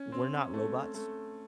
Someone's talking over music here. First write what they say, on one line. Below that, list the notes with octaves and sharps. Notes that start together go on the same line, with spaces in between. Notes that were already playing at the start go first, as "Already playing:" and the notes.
we're not robots,
Already playing: C#4
C4
A3
A3